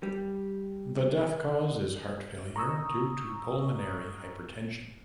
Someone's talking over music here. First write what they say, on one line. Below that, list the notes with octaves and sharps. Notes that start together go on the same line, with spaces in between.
The death cause is heart failure due to pulmonary hypertension.
G3
A#5 C#6 D#6 E6